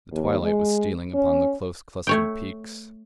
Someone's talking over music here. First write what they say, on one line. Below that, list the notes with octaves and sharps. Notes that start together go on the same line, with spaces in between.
The twilight was stealing upon the close-clustered peaks.
D#2
G#3
C#4
A3 C#5 G5